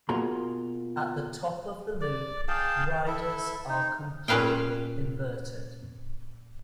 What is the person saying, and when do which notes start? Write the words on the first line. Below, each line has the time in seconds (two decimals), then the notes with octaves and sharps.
At the top of the loop, riders are completely inverted.
0.09 B2 A#3 F4 G#4 A#5 C6
2.01 D5
2.48 G#4 F5 G5 A5
3.07 E4 A4 E5
3.69 D#4
4.28 A#2 C#4 B4 F5 G5